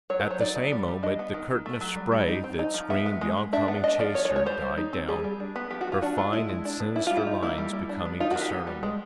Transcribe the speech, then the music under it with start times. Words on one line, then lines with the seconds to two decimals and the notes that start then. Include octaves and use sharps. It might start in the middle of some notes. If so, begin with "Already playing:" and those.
At the same moment the curtain of spray that screened the on-coming chaser died down, her fine and sinister lines becoming discernible.
0.10 F#3 C#5
0.20 C5
0.25 F#3
0.31 C#5
0.41 D#4 D5
0.56 B3
0.72 G3
0.88 G3
1.03 D4 D#5
1.19 B3
1.34 D#3
1.50 D#3
1.66 A3
1.81 F#3
1.96 G3
2.12 G3
2.28 D#4
2.44 C4
2.59 D#4
2.74 F3
2.90 B3 E5
3.06 G#3
3.21 G#3
3.37 G#3
3.53 D4 E5
3.68 B3
3.84 D4 D#5
3.99 F3 D5
4.15 B3 C#5
4.25 C#5
4.30 G#3
4.36 C#5
4.46 G3 C5
4.62 G3
4.77 D#4
4.93 C4
5.08 G3 G#4
5.24 G3
5.40 D4
5.56 B3
5.70 F3 G4
5.81 F#4
5.87 F3 F4
6.02 D4 F#4
6.17 A3 F4
6.33 G#3 E4
6.49 G#3
6.65 D4
6.80 B3
6.96 G3 E4
7.07 G3 F4
7.17 E4
7.27 D#4
7.42 A#3 E4
7.58 G3
7.73 G3
7.89 D4
8.06 B3
8.20 D#4 F4
8.31 D#3 F#4
8.41 G4
8.51 B3
8.67 G3
8.83 G#3